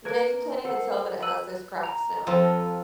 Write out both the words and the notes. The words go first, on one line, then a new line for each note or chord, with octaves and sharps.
Yeah, you can't even tell that it has those cracks now.
A#3 F4 A#4 B4 G#6
F4 A4 A#4 C5 F#5
B4 E6 D#7 F#7
A#5
F2 F4 A4 C5